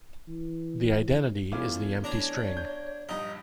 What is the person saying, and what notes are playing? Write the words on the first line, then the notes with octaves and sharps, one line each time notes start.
The identity is the empty string.
E3
B2 E3 A3 C#4 F4 D6
D4 C#5 A#5
G6
A#1 G2 D#4